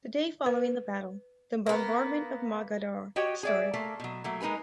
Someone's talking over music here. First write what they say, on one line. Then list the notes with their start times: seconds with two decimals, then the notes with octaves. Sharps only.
The day following the battle, the Bombardment of Mogador started.
0.46 B4
1.66 A#3 B3
3.16 F#4 G4 C#5 D#5 G5
3.43 G#4 D5 E5
3.74 A3 A#3
4.00 B2 F#3
4.24 F#3 A3 A#3
4.41 G#3 D#4 A#4 B4 G#5